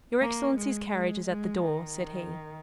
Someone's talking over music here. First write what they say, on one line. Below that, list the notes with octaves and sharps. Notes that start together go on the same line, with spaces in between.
"Your excellency's carriage is at the door," said he.
A#3
G#3
G#3
G#3
D#3